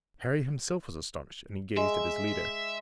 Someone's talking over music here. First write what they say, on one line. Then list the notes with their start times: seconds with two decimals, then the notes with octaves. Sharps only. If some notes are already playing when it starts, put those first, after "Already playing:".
Harry himself was astonished, and he gazed at his leader.
1.77 G#3 E5